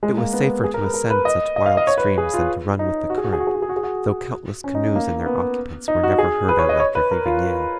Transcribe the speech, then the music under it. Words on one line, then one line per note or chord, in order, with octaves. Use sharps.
It was safer to ascend such wild streams than to run with the current, though countless canoes and their occupants were never heard of after leaving Yale.
G#3
A#3
B3
G#4
A#4
B4
A#4
B4
D#5
D#5
F5
D#5
C#5
B4
G#4
F4
D#4
F#4
G#4
F#4
G#4
F#4
G#4
F#4
G#4
F#4
G#4
F#4
C#4
D#4
A#3
B3
D#4
F#4
G#4
B4
C#5
D#5
C#5
B4
A#4
F4